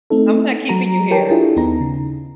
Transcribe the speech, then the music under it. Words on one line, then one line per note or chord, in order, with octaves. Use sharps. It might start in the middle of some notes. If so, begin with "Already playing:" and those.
I'm not keeping you here.
A3 C4 D#4 A4
F#3 F#4 A#5
G4 A#4 C#5 G5 A5
D4 E4 F4 G#4 A4
D#2 B3 D#4 A#5
C#3